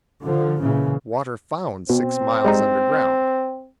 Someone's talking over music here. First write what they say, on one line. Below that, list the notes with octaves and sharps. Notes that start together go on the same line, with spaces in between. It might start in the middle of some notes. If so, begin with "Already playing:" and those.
Water found six miles under ground.
D3 F3
A#2 C#3 E3
B2 C4
G3 G#3 D#4